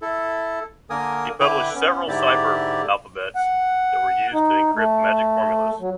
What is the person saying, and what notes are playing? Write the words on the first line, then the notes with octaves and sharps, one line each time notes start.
He published several cipher alphabets that were used to encrypt magic formulas.
E4 A4
D3 A#3 A#4 G#5 D#6
D3 E4 B4 G5 D6
B3 C#4
G#2 D3 E4 G4 D5
F#5
D#4
A3
F#3